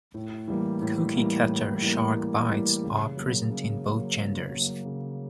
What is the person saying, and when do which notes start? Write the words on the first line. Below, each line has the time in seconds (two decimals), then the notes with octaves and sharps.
Cookie cutter shark bites are present in both genders.
0.14 A2
0.48 E3 G3 A#3
0.82 A2
1.15 E3 G3 A#3
1.49 A2
1.82 E3 G3 A#3
2.16 A2
2.50 E3 G3 A#3
2.83 C#3
3.17 F#3 A#3
3.50 C#3
3.84 F#3 A#3
4.18 C#3
4.51 F#3 A#3
4.85 C#3